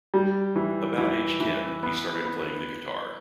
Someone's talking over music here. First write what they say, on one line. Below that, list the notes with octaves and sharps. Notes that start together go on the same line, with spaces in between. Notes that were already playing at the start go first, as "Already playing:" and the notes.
About age ten, he started playing the guitar.
G3
E3
E3
E3
B3
B3